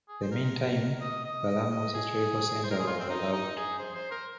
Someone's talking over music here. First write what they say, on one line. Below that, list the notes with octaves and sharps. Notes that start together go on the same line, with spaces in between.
In the meantime Palermo's historical centre was allowed to crumble.
G#4
C5
A#4
D#5
D#5
D#5
D#5
G#4
C5
A#4
G#4
F4
C4
D#4
D#4
G#4
C5
C5
A#4